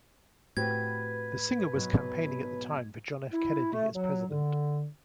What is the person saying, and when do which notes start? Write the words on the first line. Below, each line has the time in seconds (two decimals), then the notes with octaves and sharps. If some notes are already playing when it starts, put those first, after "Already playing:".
The singer was campaigning at the time for John F. Kennedy as president.
0.57 A2 C4 F#4 G4 B4 G#6
1.74 G#2 B2 F#3
3.33 E4
3.73 A3
3.95 F#3
4.31 D3